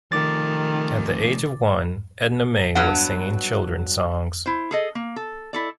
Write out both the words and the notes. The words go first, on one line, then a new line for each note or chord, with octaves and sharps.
At the age of one, Edna Mae was singing children's songs.
D#3 F3 A3 D6 A6
G2 F#3 B3 F#5
E4 C5
G#4 A4 D#5
A#3
A4
E4 A4 D5